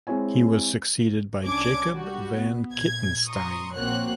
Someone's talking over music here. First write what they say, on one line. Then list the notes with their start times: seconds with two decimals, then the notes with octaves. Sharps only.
He was succeeded by Jacob van Kittensteyn.
0.07 G#3 C4 E4 C#5 G#5
1.44 C2 C#4 D4 D6 G#6
1.95 G3 F#4
2.39 B3
2.72 A#1 G#6
3.27 A#5 C6 C#6 D#6
3.75 A#1 A#3 C4 F#4 C#5 F#6